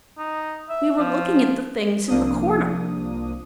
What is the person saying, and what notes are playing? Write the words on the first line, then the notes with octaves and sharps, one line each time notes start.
'We were looking at the things in the corner.'
D#4
E5
F3
C2 F3 A#3 D4 D#6